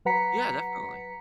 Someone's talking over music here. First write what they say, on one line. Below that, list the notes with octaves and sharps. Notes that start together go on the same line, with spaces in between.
Yeah, definitely.
F#3 B4 F#5 A#5 B6 C#7